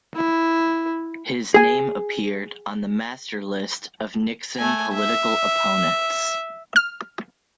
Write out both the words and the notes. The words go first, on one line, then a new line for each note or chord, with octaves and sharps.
His name appeared on the master list of Nixon political opponents.
E4
G#4 G#5
A3 G#5
E5
F6